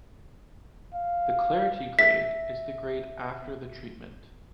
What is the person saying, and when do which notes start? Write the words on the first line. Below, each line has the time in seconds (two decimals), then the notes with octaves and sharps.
The clarity grade is the grade after the treatment.
0.94 F5
1.99 E5 B6